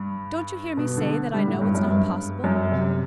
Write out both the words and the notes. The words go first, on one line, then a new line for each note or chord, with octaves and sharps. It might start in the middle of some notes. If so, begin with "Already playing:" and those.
Don't you hear me say that I know it's not possible?
Already playing: G2
B2
D3
G3
A2
G2
F#2
G2
F#2
C3